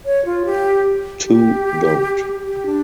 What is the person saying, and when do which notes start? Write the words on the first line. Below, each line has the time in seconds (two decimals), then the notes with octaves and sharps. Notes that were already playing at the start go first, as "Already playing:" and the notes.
Two don’t.
0.05 C#5
0.25 F4
0.45 G4
1.25 G4
2.46 G4
2.66 D4